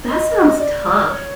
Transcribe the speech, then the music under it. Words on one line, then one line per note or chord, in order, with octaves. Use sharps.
That sounds tough.
D#5
D5
C#5